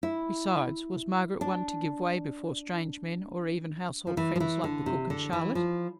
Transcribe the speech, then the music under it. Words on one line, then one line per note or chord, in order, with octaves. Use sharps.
Besides, was Margaret one to give way before strange men, or even household friends like the cook and Charlotte!
E4
D4
F3
E3
F3
E3
D3
C3
D3
E3
F3